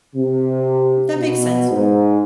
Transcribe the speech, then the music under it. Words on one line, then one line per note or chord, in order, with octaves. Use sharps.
that makes sense.
C3
B2
G#2